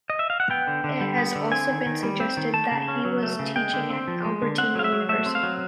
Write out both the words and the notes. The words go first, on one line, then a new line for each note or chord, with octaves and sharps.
It has also been suggested that he was teaching at Albertina University.
D#5
E5
F5
F#5
B3 G5
D3
D3
G3
B3
D3
C4 G#5
D#3
D#3
G3
C4
D#3
A3 A5
C#3
C#4
F#3
A3
C#3
G#3 G5
D3
C4
F3
G#3
D3
C4 F#5
F#3 F5
E5
F#3
A3 E5
C4
F5
F#3